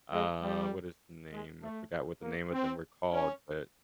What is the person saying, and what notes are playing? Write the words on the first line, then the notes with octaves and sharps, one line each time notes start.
uh, what is the name? I forgot what the name of them were called, but
G#3
G3
G#3
A3
A#3
C4
C#4